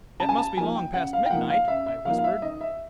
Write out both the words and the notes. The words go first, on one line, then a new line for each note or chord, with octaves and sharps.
"It must be long past midnight," I whispered.
C#3 A5
G#5
A5
F3 A#3 D#4 G#5
G5
C#3 F#5
F5
G5
F3 A#3 D#4 F#5
F5
C#3 E5
E5
F3 A#3 D#4 F5
F5
E5
D#3 D#5
E5